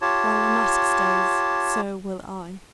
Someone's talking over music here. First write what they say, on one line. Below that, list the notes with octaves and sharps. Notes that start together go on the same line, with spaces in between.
"While La Masque stays, so will I."
F4 G4 C#5 A5